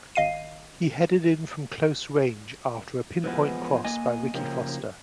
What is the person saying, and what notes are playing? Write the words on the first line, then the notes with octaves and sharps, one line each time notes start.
He headed in from close range after a pinpoint cross by Ricky Foster.
G#1 D#5 F5 C7 D#7
E3 F3 G#3 B3
A#3 D#5 G#5
C#3 F3 A#3 G4